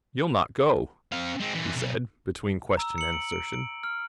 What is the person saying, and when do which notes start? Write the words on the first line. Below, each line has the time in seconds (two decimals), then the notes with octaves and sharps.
"You'll not go?" he said, between question and assertion.
1.12 C4 F5
1.40 G#3 C4
1.55 A#2 E3
1.76 B1
2.77 A#5 E6
2.98 C#7 F#7
3.13 D7
3.32 D7
3.53 D7
3.83 F6